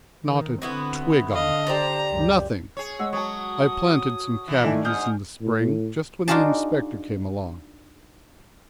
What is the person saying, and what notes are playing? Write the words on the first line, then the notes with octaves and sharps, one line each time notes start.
Not a twig on it--nothing. I planted some cabbages in the spring, just when the inspector came along.
D#3
D3 B3 C4 E4 F#4
D3 D#5 F5
G4 C5 D5 A#5
C#2 F#2
G#4 C#5
G#3 F#5 E6
F#3 C#5 A5 D#6
E3
D#3 A3 D4 E4 G#5
G#2 D#6 F6 G6
A2
D4 D#4 F4 F#4 G#4 A5